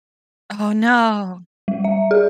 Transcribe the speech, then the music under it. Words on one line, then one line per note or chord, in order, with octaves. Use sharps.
Oh, no.
G3
E5
G#4